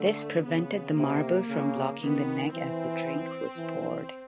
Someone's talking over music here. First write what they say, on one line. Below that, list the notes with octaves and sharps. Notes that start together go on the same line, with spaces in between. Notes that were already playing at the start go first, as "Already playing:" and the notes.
This prevented the marble from blocking the neck as the drink was poured.
Already playing: D3 A3
C#3 B3
C3 A#3
C#3
D#3 B3
E3 C4
E3